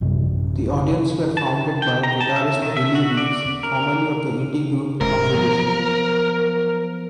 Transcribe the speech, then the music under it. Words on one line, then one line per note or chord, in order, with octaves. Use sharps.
Theaudience were founded by guitarist Billy Reeves, formerly of the indie group Congregation.
A1 F#2 C3 G3
A5
G5
A#5
A5
E5
D#3
E5
F#4
D5
A#4
D#1 G#2 A#4
F3 F#3 B3